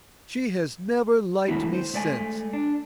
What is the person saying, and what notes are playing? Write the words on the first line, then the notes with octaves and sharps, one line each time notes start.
She has never liked me since.
D#3 F#3 G#3 A3 B3 E4
C5
G#3 A3 D5 F#5 G#5
D4